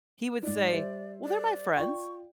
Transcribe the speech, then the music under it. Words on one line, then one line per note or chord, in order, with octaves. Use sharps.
He would say, "Well, they're my friends."
G#2 D#4 D5
G3 C5 E5
D5
F4 D5 G5 C#6